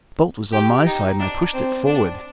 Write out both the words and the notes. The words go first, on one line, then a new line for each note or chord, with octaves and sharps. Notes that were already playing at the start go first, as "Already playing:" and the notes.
The bolt was on my side, and I pushed it forward.
G4
D#4
D4
C4
D4